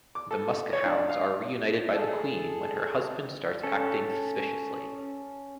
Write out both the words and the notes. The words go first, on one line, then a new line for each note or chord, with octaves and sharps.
The Muskehounds are reunited by the Queen when her husband starts acting suspiciously.
D6
A4
C#5
D4
F5
G#4 A4 A5
C#4 A4